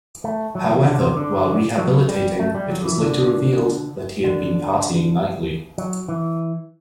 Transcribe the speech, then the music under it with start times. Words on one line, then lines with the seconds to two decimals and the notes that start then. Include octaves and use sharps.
However, while rehabilitating, it was later revealed that he had been partying nightly.
0.24 A3
0.55 F#3
0.70 E3
0.86 D3
1.00 C3
1.16 D3
1.78 F#3
2.09 G3
2.39 A3
2.55 G3
2.70 F#3
2.85 E3
3.01 D3
4.24 D3
5.78 F#3
6.08 E3